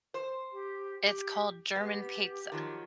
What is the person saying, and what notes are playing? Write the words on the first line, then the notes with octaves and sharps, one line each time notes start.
It's called German pizza.
C5
G4
G4
B3 G4
D#3 F3 F#3